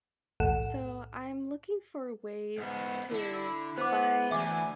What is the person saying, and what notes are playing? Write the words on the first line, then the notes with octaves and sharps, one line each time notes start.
So, I'm looking for ways to find
B1 E2 A2 A4 F#5 E7
G#2 B3
D3 E4
B3 C5 F#5 D6
D2 E3 E5 G#5 D6